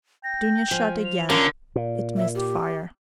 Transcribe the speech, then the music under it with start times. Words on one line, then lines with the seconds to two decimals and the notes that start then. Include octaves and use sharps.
Dounia shot again: it missed fire.
0.24 G5 A#6
0.71 F3 G#5
1.04 F7
1.30 D3 C#4 F4 A#4 A#5 G7
1.76 A#2
2.17 E5
2.35 G4